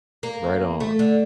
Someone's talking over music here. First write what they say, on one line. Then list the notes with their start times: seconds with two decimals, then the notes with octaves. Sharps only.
Right on.
0.23 A#3
0.80 A3
0.99 D3